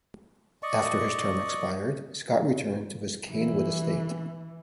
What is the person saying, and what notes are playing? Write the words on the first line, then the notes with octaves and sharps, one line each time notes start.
After his term expired, Scott returned to his Canewood estate.
D5 D#5 C#6
E3